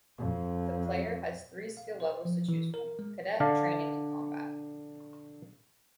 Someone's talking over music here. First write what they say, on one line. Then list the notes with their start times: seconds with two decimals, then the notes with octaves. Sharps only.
The player has three skill levels to choose from: Cadet, Training, and Combat.
0.18 F2
1.77 F5
2.00 C5
2.25 F3
2.49 E3
2.74 A#4
2.99 G#3
3.40 D3 D4 F5